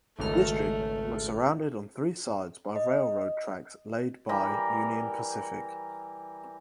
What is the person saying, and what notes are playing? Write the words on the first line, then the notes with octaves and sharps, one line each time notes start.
The district was surrounded on three sides by railroad tracks laid by Union Pacific.
G#1 C#2 A3 F6
D#5
E3 G3 A#4 B5